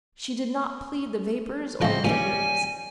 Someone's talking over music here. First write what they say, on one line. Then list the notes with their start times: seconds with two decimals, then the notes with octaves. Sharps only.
She did not plead the vapours or the megrims.
1.82 A2 C#3 F3 C4 D#5
2.05 A#2 C#3 E3 G3 C#4 G#5